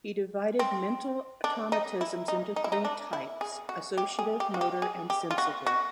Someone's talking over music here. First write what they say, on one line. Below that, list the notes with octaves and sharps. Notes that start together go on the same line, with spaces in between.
He divided mental automatisms into three types: associative, motor and sensitive.
C4
D4
D#4
E4
D#4
D#4
E4
D#4
D4
E4
G#4
F#4
G4
G#4
G4
F#4
G4
G#4
G4
F4
F#4
F#4